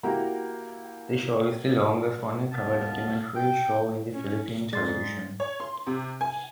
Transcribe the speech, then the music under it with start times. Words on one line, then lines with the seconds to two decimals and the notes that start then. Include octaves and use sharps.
The show is the longest running travel documentary show in the Philippine television.
0.03 A#3 E4 F#4 G4 A#5
2.52 D#2 B2 B3 A#4 F5 A5
3.36 G5
4.14 C#4
4.73 G#2 G#3 D5 C6 A6
5.40 C#5
5.60 C6
5.87 C3
6.21 G#5